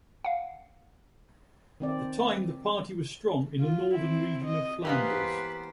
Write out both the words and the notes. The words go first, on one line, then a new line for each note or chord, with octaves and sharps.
At the time, the party was strong in the northern region of Flanders.
F5 F#5
D#3 C4 D5
F4
C4 E4
D#5
E3 A#3 B3 G4 B4 C5